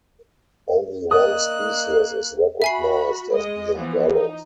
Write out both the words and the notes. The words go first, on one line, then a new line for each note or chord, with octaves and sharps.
Only one species is recognized as being valid.
A#3 A#4 D5 D#5 D#6 F#6
F#4 E5 G#5 B5 C7
G#3 D#5
E3 F3 B3
D#4